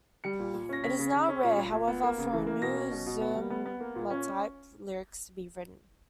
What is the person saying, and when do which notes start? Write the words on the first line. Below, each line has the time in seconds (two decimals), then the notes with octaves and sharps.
It is now rare, however, for new zemer-type lyrics to be written.
0.24 G3 C#7
0.39 A#2
0.54 A#2
0.69 C#4 A#6
0.83 C#3 B6
0.99 C#3
1.13 C#3
1.29 C#4
1.44 A#2
1.58 A#2
1.73 A#2
1.87 B3
2.03 A#3
2.18 C#3
2.33 E3
2.47 A#3
2.62 B2 A#6
2.77 C#4
2.91 B2
3.06 B2
3.21 B3
3.35 G3
3.50 B3
3.66 B3
3.80 A#3
3.95 A#2
4.10 C#4